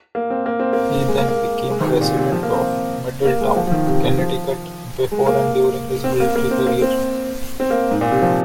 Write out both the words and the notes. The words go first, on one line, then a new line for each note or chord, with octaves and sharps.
He then became a resident of Middletown, Connecticut before and during his military career.
A#3
C4
A#3
C4
A#3
G#3
A#3
A#3
G#3
D#3
C3
A#2
C3
F3
A#3
C4
A#3
G#3
F3
F3
D#3
C3
C3
F3
G#3
A#3
C4
A#3
A#3
C4
A#3
C4
C4
A#3
G#2
A#2
C3
F3